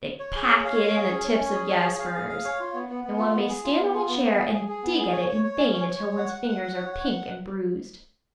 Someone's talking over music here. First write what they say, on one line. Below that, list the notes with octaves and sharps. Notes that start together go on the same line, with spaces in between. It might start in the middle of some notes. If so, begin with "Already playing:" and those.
They pack it in the tips of gas-burners; and one may stand on a chair and dig at it in vain until one's fingers are pink and bruised.
C#5
G#4
C#5
F5
C#5
G#4
C#4
C#5
C#4
G#4
C#5
G#4
F5
G#4
F5
C#5
F4
B3
B3
B3
F4
B3
G#4
F4
B3
F4
B3
B3
G#4
G#4
G#4
B3
G#4
C#5
C#5
C#5
C#4
C#5
C#5
C#5
F#5
F#5
F#5
F#5
C#5
F#5
F#5